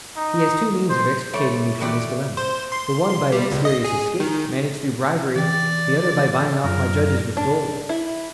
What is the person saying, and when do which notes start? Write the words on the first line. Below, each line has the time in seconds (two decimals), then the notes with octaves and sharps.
He has two means of extricating me from this dilemma,--the one by a mysterious escape, managed through bribery; the other by buying off my judges with gold.
0.17 D#4
0.90 C5
1.33 G3 A3 C#5
1.80 D#3 E3 A3 F#4 G4 D5
2.37 C5
2.72 C6
3.10 C6
3.32 G3
3.51 C#2
3.65 D#5
3.85 G#4
4.20 D#3
5.35 E3 D5 G5
6.64 F#2 F4 A#4
7.37 D4
7.89 E4